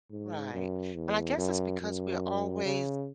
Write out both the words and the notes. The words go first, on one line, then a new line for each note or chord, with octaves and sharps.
Right. And I guess it's because we're always,
G#2
F#2
E2
F#2
F#2
C#3